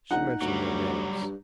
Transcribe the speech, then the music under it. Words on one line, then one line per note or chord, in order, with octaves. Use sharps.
"She mentioned no names."
A#1 D#4 F#5
D2 F#3 G3
G2